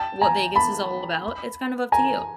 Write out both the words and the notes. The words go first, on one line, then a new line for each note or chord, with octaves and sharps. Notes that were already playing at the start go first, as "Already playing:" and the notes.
what Vegas is all about, it's kind of up to you.
Already playing: G5 A5
G#5 A#5
A5 B5
G#5 A#5